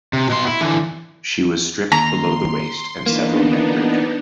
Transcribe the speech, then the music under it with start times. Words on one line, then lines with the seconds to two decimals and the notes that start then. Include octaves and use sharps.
She was stripped below the waist, and several men raped her.
0.13 C3
0.30 B2 C6
0.47 E4
0.61 D3 E3
1.92 D#2 A#5 C6
3.06 E3 A#3 B3 D4 D#4